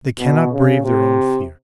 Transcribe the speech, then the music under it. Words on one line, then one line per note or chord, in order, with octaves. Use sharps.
They cannot brave their own fear.
B2
C#3
C3